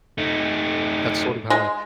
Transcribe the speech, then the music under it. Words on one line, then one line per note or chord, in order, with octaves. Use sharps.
That's sort of how I
A3 D#4
G#3